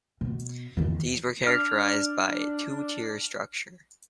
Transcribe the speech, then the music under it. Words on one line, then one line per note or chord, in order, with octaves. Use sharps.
These were characterized by a two-tier structure.
B2
E2 D#3
D4 F6